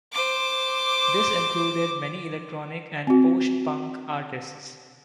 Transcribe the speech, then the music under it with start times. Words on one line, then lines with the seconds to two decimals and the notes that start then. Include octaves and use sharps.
This included many electronic and post-punk artists.
0.12 C5 D6
3.07 C4 F#4